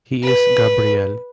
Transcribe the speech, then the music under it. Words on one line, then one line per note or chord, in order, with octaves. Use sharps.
He is Gabriel.
B4